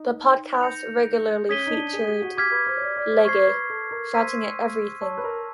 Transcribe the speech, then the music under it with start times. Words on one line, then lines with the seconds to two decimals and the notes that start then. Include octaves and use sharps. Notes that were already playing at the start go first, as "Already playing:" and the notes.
The podcast regularly featured Legge shouting at everything.
Already playing: D#4
0.61 G6 A#6 C#7 F7
1.49 C#4 D#6 G#6 B6 D#7 G7
1.67 D#4
1.71 D4
1.93 G#4
2.08 G4
2.22 F#4
2.38 G4 D6 F6 G#6 B6
2.51 B4
2.66 C5
2.76 C#5
2.82 D5
2.97 D5
3.11 C5
3.25 C5 C#6 F6 G#6 C7
3.47 B4
3.70 A4
3.91 A#4
4.14 C5 C6 E6 G#6 B6 D#7
5.01 C#5 A5 C#6 E6
5.18 B4
5.24 A#4